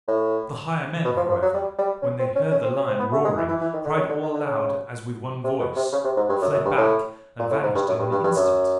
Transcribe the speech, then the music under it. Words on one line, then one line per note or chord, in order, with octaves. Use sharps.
The higher men, however, when they heard the lion roaring, cried all aloud as with one voice, fled back and vanished in an instant.
A2
B2
F3
F3
F#3
G3
G3
C#4
C4
C#4
C#4
C4
C#4
C4
B3
A3
G#3
E3
E3
E3
D#3
D3
C#3
D3
D#3
D3
C#3
C3
B2
C3
C#3
C3
G#2
G2
F#2
F#2
G2
A2
A#2
A2
G#2
G2
F#2
G2
G2
G2
F#2